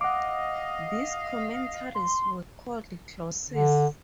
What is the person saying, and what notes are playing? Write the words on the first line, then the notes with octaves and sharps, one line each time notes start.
These commentaries were called glosses.
D#5 F5 F#5 D6
C6
D3